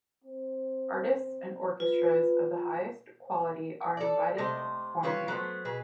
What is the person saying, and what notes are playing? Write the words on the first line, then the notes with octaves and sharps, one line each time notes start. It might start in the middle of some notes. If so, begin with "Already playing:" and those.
Artists and orchestras of the highest quality are invited to perform here.
C4
F4 B4
A4 D5
C3 A3 C5 D#5
G3 F4 B4 C#5
F#3 A3 B3 C5
B2 G#4 B4